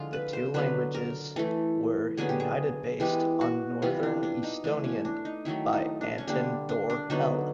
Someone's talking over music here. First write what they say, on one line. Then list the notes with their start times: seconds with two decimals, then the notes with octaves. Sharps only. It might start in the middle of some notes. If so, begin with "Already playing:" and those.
The two languages were united based on northern Estonian by Anton thor Helle.
Already playing: D3 F3 G#3 F4
0.13 B4
0.33 C5
0.54 D3 F#3 B3 B4
0.95 A#4
1.36 E3 A3 A4
2.17 D3 F#3 B3 G#4
2.29 G4
2.40 G#4
3.00 E3 G#3 B3 G4
3.41 F#4
3.82 C3 E3 G3 B3 F4
4.03 D4
4.23 D4
4.43 D#4
4.64 E3 A3 D4
4.84 C#4
5.05 D4
5.25 D#4
5.45 D#3 F#3 A3 E4
5.73 D#4
6.01 D4
6.18 C#4
6.27 D3 G3 A#3 D4
6.69 D4
6.90 D4
7.10 D3 F#3 B3 D#4